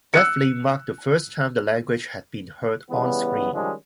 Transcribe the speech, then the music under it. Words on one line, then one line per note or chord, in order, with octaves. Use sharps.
That film marked the first time the language had been heard on screen.
E6 F#6 C#7
C#3 E3 G3 B3
D#3 F3 G3 G#3 C#4 D4